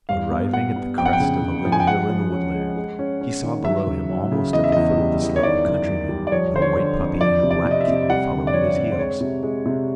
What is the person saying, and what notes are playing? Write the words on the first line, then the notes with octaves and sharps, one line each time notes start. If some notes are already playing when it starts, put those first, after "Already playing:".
Arriving at the crest of a little hill in the woodland, he saw below him, almost at the foot of the slope, a countryman with a white puppy and a black kitten following at his heels.
G2 F5
B3 F5
G3 F#5
B3
F2 G5
F#5
G5
C#3
C#3
F3
G#5
G5
G#3 F#5
F3
C#4
G#3
G#3
C#4
C#4
D#3
F#3 E5
C#3
F#3
C#3
E2 D#5
E5
E2 D#5
G3
E2
C#5
D#3 D5
F#2
D#3
G3
D5
F3 C#5
D3 C5
C#5
D3
F2
F3 D5
C3
D5
C3
D#5
E5
C3
G3 F#5
D3
D5
F2 C#5
C4
C5
G#3 C#5
C3
G#3
C3